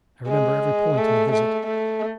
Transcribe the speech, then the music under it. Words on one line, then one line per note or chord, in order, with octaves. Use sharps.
I remember every point in the visit.
G#3
A3
A3
A3